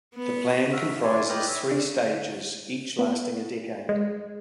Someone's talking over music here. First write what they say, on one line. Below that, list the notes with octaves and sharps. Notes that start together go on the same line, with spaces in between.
The plan comprises three stages each lasting a decade.
B3
F#4 E5 F5
D5 G#5 C6
B4 D5 D#5 G5 F6 F#6
C#5 E5
D3
B3
G#3